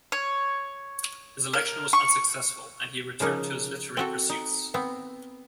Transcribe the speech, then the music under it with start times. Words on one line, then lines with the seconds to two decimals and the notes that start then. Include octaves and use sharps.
His election was unsuccessful and he returned to his literary pursuits.
0.12 C#5
1.53 A#4
1.93 C#6
3.20 C#3 F3 A#3 D#4
3.97 C4 F#4 A4
4.29 D#4
4.74 B3 C4